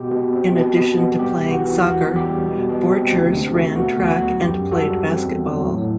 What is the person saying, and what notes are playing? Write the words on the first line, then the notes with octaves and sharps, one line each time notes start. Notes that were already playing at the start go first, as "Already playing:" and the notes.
In addition to playing soccer, Borchers ran track and played basketball.
Already playing: B2 G4
B2
C4
B2
B2
B3
G3 G4
C2
F#4
E3
E2 F#4
E2
G4
G3
B2
B2
C4
D2
D2
A3
B3 F#4
D2
F#4
F#3
F#2 G4
F#2
F#4 A4
G3
C4
E2
F#3
A2